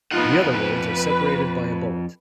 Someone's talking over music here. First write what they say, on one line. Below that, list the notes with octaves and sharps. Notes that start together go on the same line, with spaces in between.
The other words are separated by a bullet.
F2 B3 D#4 F4 F#5
B4